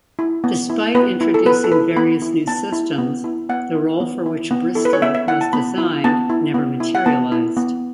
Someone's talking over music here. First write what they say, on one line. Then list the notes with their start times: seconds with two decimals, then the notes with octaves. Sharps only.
Despite introducing various new systems, the role for which "Bristol" was designed never materialised.
0.19 E4
0.44 B3
0.70 E4
0.95 B3 B4
1.21 E4
1.34 A4
1.45 B3 B4
1.64 A4
1.72 E4 B4
1.97 B3 B5
2.22 E4
2.47 B3 A5
2.72 E4
2.98 B3
3.24 E4
3.49 B3 F#5
3.75 E4
4.00 B3
4.26 E4
4.51 B3
4.75 E4 A4
4.85 B4
4.93 C#5
5.02 B3 E5
5.15 E5
5.28 E4 F#5
5.41 A5
5.53 B3 B5
5.78 E4
6.04 B3 A5
6.30 E4
6.54 B3
6.80 E4
6.95 F#5
7.06 B3 A5
7.32 E4
7.57 B3